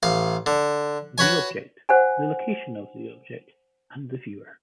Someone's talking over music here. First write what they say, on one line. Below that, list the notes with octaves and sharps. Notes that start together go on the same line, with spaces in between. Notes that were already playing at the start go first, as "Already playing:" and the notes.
The object, the location of the object, and the viewer.
A1 F5
D3
F#4 B4 C#5 G#5
C5 F#5 G#5